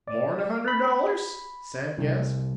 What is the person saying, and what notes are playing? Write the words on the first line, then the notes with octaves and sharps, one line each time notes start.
"More'n a hunderd DOLLARS?" Sam gasped.
D5
B5
C2